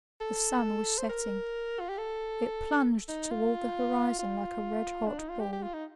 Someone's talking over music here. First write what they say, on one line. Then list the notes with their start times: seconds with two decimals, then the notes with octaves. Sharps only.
The sun was setting; it plunged towards the horizon like a redhot ball.
0.21 A4
0.98 C5
1.09 A#4
1.80 F4
1.89 G4
1.98 A4
3.09 D#4
3.31 F4
4.19 F4
5.07 D4
5.19 D#4
5.29 F4
5.40 G4
5.52 G4
5.63 F4
5.74 D#4